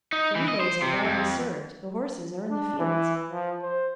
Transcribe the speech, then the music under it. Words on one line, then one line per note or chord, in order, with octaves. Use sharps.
The relays are badly served, the horses are in the fields.
D#4
E3
D#5
C5
C3
F2
D4
E3
F3
C5